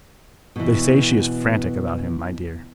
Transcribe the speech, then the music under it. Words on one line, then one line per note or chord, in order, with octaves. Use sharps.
"They say she is frantic about him, my dear."
B2 E3